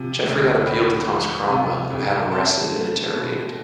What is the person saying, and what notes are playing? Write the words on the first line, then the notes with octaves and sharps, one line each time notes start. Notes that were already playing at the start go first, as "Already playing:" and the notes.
Geoffrey had appealed to Thomas Cromwell, who had him arrested and interrogated.
Already playing: C3 F3
D2
B3 G5 B5
F3
C3
F2
C4 A5 C6
A3
B2